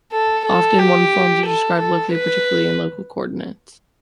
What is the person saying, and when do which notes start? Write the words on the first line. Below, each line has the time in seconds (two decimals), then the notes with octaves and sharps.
Often one-forms are described locally, particularly in local coordinates.
0.12 A4
0.45 A4
0.78 G4
1.46 A4
1.79 A4
2.12 B4